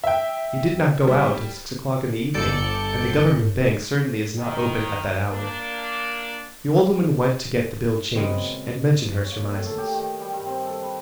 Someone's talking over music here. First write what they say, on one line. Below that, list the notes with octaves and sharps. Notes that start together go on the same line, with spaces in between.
"He did not go out until six o'clock in the evening, and the government bank certainly is not open at that hour." The old woman went to get the bill changed, and mentioned her surmises.
E5 G5
G3
G1 A4 D5 G6 C#7
D#3
A#3 D4
A#2 C#3 G#3 B3 C4 F#4
C#5
A#3
A2
A4
G4
D#3
G3
G2
C4
A4
B4